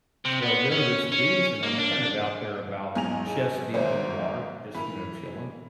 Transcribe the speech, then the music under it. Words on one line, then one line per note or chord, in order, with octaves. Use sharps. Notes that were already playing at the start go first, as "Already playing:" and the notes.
so, I go to this beach, and I'm kind of out there about chest deep in the water just, you know, chilling
C3
B3
C#4
C#4
A#3
D4
B1 E2 G#2 G#5 A#5 F7
G#4
G#1 G#2 C5 C#5 E5
E3 A#4 B5